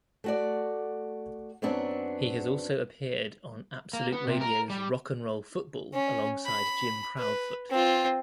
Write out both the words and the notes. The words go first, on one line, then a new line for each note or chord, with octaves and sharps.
He has also appeared on Absolute Radio's Rock'n'Roll Football alongside Jim Proudfoot.
A3 F#4 D5
F#2 F#3 B3 C4 D4
A#3
B3
C3
A#4
G3
C#4
B5
B4
C4 F4